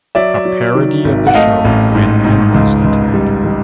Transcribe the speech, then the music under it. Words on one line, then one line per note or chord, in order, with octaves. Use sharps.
A parody of the show When Animals Attack!
F#3 D5 E5
F#3
D#3
G#1
F#5
A3 D#5 F5
A1
G#2
G#2
C#2
C#2
G3
G3